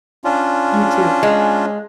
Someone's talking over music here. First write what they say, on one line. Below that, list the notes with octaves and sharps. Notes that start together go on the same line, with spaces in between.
You too.
C#4 D4 F4
G#3